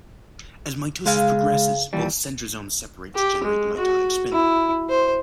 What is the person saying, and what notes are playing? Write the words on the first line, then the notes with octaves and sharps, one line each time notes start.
As mitosis progresses, both centrosomes separate to generate the mitotic spindle.
C#3 G#3 G#4 F5
D#2 E3 G3
G4
G#3
F#4
E4
C5